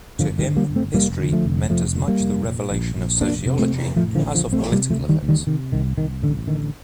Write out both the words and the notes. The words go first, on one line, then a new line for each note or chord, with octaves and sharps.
To him, history meant as much the revelation of sociology as of political events.
G1 D3 F3
D#3 G3
D3
G3 A#3
G1
A3 C4
F1 G3 A#3
D3
F3 A3
F1
F1 F3 A3
D3
G3 A#3
F1
A#2
A#1
A#1
F1 A#3 D4
C3
A3 C4
F1
A2 F3 A3
D3 F3
A#1
D3 F3
A#1
A3 C4
C3 G3 A#3
F3 A3
D2
D#3 G3
D2
D#3 G3
C3 D#3
C2 D#3
C2 D#3
A1 D3
D3 D#3